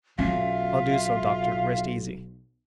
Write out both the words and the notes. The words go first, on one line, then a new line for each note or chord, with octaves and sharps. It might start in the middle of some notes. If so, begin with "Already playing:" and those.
"I'll do so, doctor; rest easy."
B1 C#4 F4 E5